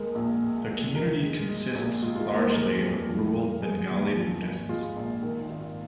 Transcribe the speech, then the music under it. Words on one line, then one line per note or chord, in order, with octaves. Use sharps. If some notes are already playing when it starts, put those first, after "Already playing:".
The community consists largely of rural Bengali Buddhists.
Already playing: D#2 G#3 A#4
A#1
G#3
D#2
D#3 A#4
G#3
G#3
A#1
G#3 F4
F4
D#2 D#5
A#4
C5
G#3 A#4
F2
F3
G#3
G#3 G#4
D#2
F3
G#1
G#3 F4
A#1
D#3
G#1